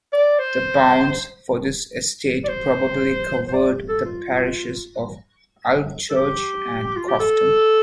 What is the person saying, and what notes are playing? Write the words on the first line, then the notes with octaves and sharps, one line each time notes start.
The bounds for this estate probably covered the parishes of Alvechurch and Cofton.
D5
C5
D5
C5
C5
D5
A4
F4
A4
G4
F4
G4
A4